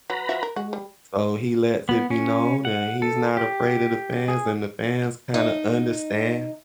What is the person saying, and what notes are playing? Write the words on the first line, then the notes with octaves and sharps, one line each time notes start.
so he lets it be known, and he's not afraid of the fans, and the fans kinda understand,
F#3 B4 A#5 B5
F3 F#4 E5
A#4
G#3 F#4
G3
B3
C#4
F#5
A4
G4
G#4
D#4